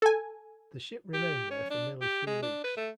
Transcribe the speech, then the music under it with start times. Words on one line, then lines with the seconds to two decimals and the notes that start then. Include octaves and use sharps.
The ship remained there for nearly three weeks.
0.02 A4 G#5
1.13 G4
1.50 C#4
1.70 D4
2.01 G4
2.27 G#3
2.42 D4
2.64 B4
2.76 A3